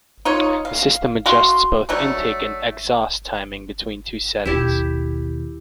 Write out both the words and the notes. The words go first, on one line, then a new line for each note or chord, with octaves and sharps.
The system adjusts both intake and exhaust timing between two settings.
D#4 F4 C#5
F5
F#4 F5 C6
F#3 A3 D4
D#2 B2 E4 G4